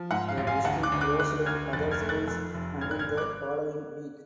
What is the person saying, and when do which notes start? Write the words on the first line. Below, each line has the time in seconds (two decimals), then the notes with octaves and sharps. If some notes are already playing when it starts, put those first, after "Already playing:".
The district closed other schools until the following week.
Already playing: F3
0.11 G#2 F#5
0.28 F5
0.37 A1
0.47 F5 G#5
0.65 D2 F#5 A5
0.83 D6 F#6
0.92 D2
1.01 D6 F#6
1.19 D2 D6 F#6
1.46 D2 F6 G#6
1.73 F1 F#6 A6
1.91 F6 G#6
2.01 A3
2.09 F#6 A6
2.28 F2
2.54 F1
2.81 G#1 F6 G#6
2.91 F#6
2.99 F6 G#6
3.09 G#1
3.17 D6 F#6